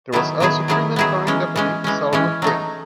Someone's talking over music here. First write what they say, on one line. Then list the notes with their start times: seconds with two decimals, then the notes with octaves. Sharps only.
There was also a Crimean Karaim deputy, Salomon Krym.
0.12 D#3 F#3 B3 E4 G#4
0.40 D#3 F#3 B3 E4 G#4
0.68 D#3 F#3 B3 E4 G#4
0.96 D#3 F#3 B3 E4 G#4
1.27 E3 G#3 C#4
1.56 E3 G#3 C#4
1.84 E3 G#3 C#4
2.13 E3 G#3 C#4
2.42 F#3 A3 D#4